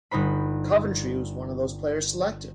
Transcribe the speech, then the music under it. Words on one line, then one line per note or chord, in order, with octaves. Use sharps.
Coventry was one of those players selected.
G1 D#4 C5 B5